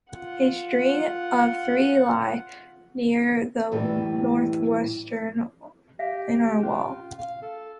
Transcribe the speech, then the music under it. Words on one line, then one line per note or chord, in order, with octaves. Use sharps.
A string of three lie near the northwestern inner wall.
F4 F#5
F#2 A2 E3 G3
G4 E5 F5
C#4 F4
F5
A4